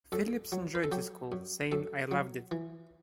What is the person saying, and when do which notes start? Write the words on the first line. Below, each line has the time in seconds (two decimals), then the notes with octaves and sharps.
Phillips enjoyed the school, saying, I loved it.
0.12 F#2 A4
0.52 F#3
0.75 B4
0.84 A4
0.92 F#3 G4
1.32 F#2
1.72 F#2 A4
2.11 F#3
2.51 E3